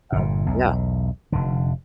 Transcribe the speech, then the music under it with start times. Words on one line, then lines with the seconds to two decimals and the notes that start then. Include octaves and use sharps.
uh, yeah.
0.12 G1 A#2
0.46 B1 E2
1.32 F1 D3